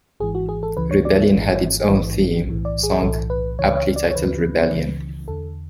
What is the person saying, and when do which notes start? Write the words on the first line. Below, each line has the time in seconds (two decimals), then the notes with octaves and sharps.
Rebellion had its own theme song aptly titled "Rebellion".
0.20 G#1 G#2 E3 G#4
0.35 F#4
0.49 G#4
0.63 A4
0.77 C#2 C#3 E3 B4
0.91 C#5
1.05 D5
1.33 G#1 G#2 E3
1.90 A1 G#2 E3
2.46 B1 A2 E3
2.65 D5
2.83 G#4
3.02 B1 A2 E3 A4
3.30 B4
3.59 C#2 C#3 E3 C#5
3.77 C#5
3.96 D5
4.11 C#5
4.15 D2 C#3 E3 B4
4.71 C#2 C#3 E3
5.28 E2 D3 A4